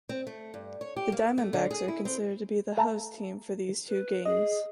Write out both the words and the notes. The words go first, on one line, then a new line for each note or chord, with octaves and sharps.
The Diamondbacks are considered to be the host team for these two games.
C4
A3
G2
C#5
G4
A#3
A3
D3
G#4
E4
C4
A3 A5 A#5
B4
G#4 D#5